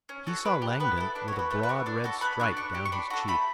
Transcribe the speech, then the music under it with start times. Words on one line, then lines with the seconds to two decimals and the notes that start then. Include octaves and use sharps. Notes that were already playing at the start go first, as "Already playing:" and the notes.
He saw Langdon with a broad red stripe down his cheek.
0.09 C#4
0.27 F#4 A4
0.45 D4 B4
0.62 G4
0.80 B3 B4
0.97 E4 A4
1.15 D4 B4
1.28 C#5
1.33 F#4 A4
1.39 B4
1.51 A3 B4
1.63 B4
1.69 D4 F#4 A4
1.86 D4 D5
2.04 F#4 A4
2.21 B3 B5
2.40 D4 F#4 A4
2.57 D4 C#6
2.75 G4
2.85 C#6
2.92 D4 B5
3.10 F#4 A4
3.28 A3 B5